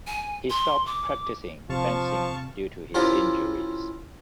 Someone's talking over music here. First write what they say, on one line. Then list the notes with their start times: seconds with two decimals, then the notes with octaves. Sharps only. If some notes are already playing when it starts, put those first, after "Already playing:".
He stopped practising fencing due to his injuries.
0.07 G#5
0.50 C6
0.86 D6
1.70 C3 F3 F5 A5 C#6
2.94 C#4 E4 F4 G4 A#4 C5